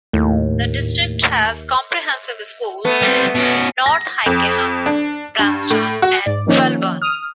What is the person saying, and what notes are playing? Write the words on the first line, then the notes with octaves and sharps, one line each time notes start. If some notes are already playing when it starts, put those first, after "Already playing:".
The district has comprehensive schools in North Hykeham, Branston and Welbourn.
D#2 A2
A3 B3
G3 C4
B2 C#4
A#6
F2
D4
G2
A2
F#4
G#2 D5
D#3 F3 A#3 C#4 D#4
D#6 F6